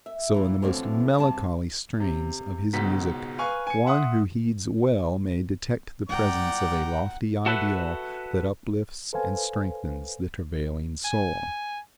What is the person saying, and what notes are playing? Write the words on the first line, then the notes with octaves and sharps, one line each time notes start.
So in the most melancholy strains of his music one who heeds well may detect the presence of a lofty ideal that uplifts and strengthens the travailing soul.
E5
A#2 E3
F#2 A2 D3 E3 F3 C4
G2 C3 A5
C3
C#2 G#2 B2 B6
B4 F5 G#5 C#6
G#5 C#7
E5 F#5 C6 D#6
G1 D5 F#5 G5 A#5
F#4 A4 B4 E5 F#5
A4 B4 C5 F5 G#5
G#5